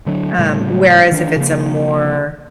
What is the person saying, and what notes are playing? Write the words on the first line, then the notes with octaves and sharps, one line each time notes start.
um, whereas if it's a more,
D3 F#3 D4
A2 C#3 G3 A3
D#3 E3 D4
C#3 F3 A#3